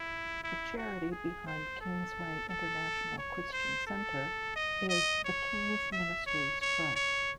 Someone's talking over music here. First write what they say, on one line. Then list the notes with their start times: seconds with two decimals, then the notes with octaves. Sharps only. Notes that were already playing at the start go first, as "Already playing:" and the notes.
The charity behind Kingsway International Christian Centre is "The King's Ministries Trust".
Already playing: E4
0.44 E4
0.77 F#4
1.11 G#4
1.47 C5
1.81 A4
2.49 A4
3.18 C#5
3.52 C5
3.87 A4
4.56 D#5
4.89 D#5
5.25 C#5
5.92 E5
6.27 C#5
6.61 C#5
6.96 C#5